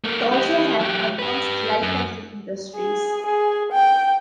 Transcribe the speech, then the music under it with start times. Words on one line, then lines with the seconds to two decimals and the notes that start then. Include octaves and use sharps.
It also had advanced light and food industries.
0.04 A3 A#3
0.32 D#4 G4
0.80 F#3 G4
1.19 G4 B4
1.83 F#2
2.75 G#4
3.26 G#4
3.72 G5